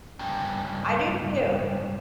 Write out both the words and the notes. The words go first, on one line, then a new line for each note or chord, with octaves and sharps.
I do too.
C#2 G2